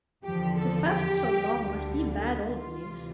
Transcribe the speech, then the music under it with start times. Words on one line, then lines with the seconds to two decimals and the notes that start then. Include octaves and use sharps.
"To fast so long must be bad always."
0.23 E2 D3 F3 G4
0.56 A4
0.87 G4
1.52 D2 D3 G3
2.48 F4
2.79 D2 C3 E3 G3